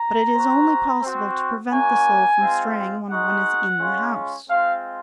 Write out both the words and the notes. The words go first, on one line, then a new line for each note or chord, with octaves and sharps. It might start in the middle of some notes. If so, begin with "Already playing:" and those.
But it is only possible to prevent the soul from straying when one is in the house.
Already playing: A#5
C4 F#4
C4 F#4
A#3 C#4 F#4 G#5
G#3 C4 F4
G#3 D#4 F#4 F#5
G#3 C#4 F4
G#3 C4 F4 F5